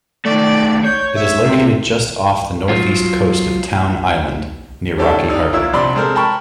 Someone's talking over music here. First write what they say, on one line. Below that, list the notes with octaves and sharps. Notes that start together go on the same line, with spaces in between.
It is located just off the northeast coast of Town Island near Rocky Harbour.
D#3 A3 D5
C#5 G6
E5
C3 C4
F#3 F4
D#3 G3 C#4 G4 A4 D5
D#4 D5 E6
A#2 E4 F4 C#5 E5 E6
A#1 C3 D5 B5 C6
G#3 C4 A4 A#4 C5
A#4 G5 A5 B5 C#6